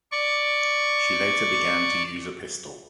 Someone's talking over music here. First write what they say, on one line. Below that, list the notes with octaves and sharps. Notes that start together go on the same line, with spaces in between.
She later began to use a pistol.
D5 C#6